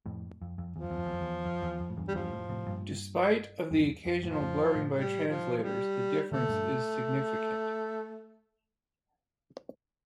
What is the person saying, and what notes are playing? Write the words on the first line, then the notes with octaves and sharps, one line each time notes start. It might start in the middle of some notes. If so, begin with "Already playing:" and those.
Despite of the occasional blurring by translators, the difference is significant.
F2 A2
F2
F2
E2 F3
F2
E2
F2
E2
F2
E2
F2
E2
F2
A2
E2 G2
G3
E2 G2 F3
F2 A2
A2 C3
G2 A#2
E2 G2
F2
F2 A2 F3
F2 A2
A2 C3
G3
F3
F3
G3
A#2 D3 A3
G2 A#2